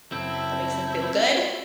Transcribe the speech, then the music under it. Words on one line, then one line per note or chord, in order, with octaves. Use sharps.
that makes them feel good.
F#2 C#3 C4 E4 A4